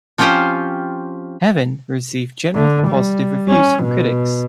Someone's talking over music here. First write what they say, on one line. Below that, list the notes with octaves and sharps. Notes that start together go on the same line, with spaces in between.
"Heaven" received generally positive reviews from critics.
F3 C4 C#4 F4 G4 C5
D3
G3
C#4
B2